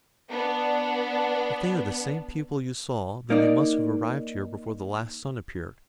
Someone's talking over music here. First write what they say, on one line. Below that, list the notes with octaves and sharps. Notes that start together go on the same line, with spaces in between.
If they are the same people you saw, then they must have arrived here before the last sun appeared.
B3 D4
A#3 D#4 D5